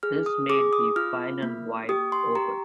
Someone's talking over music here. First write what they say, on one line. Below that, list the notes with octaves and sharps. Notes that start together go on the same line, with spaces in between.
This made the final wide open.
G#4 F6
D#6
G#4 D6
D#6
F4 F6
A#3
G4 D#6
C6
G4 A#5